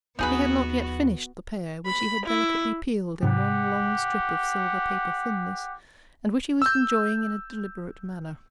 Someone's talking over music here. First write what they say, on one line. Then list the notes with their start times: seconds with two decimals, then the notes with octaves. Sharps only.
He had not yet finished the pear, which he had delicately peeled in one long strip of silver-paper thinness, and which he was enjoying in a deliberate manner.
0.19 D#2 F3 B3 D#4 F#4 G#4 B4
1.87 B5
2.26 E4
3.23 G#2 C3 G4 F#5
6.62 E6 G6